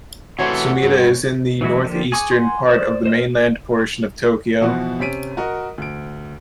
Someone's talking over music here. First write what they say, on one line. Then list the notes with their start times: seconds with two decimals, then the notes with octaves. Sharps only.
Sumida is in the northeastern part of the mainland portion of Tokyo.
0.39 C3 E3 A3 F#4 C5 C#5 F#5 G#5
0.82 G2
1.61 E3 F#3 G#3 E4 F#4
1.84 D3 F3 A#3 G4
2.12 G#4 G#5 C#6 D6
2.31 F#5 G#5 C6
2.68 C5 D5
3.05 C5 D#5 F6
4.61 B2 E3 F3 B3 F#4
5.00 C3 C#4 B6 D7 D#7
5.37 F#4 A#4 D#5
5.78 D2 D7